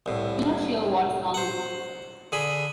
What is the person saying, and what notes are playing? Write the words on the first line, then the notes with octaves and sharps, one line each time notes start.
We're not sure what's wrong with it.
C2 A2
C5 F#5
D3 G#4 B5